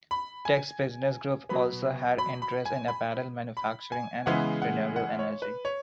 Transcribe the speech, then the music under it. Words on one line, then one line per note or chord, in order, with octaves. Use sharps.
Tex's business group also has interests in apparel manufacturing and renewable energy.
B5
G#5
B2 F#3 B3 B5
B5
B5
G#5
B5
B5
G#5
C#3 E3 G#3 B3 F#5
F#5
F#5
C#5
B4
C#5